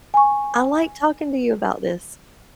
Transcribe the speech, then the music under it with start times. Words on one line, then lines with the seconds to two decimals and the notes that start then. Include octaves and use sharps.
I like talking to you about this.
0.14 G#5 C#6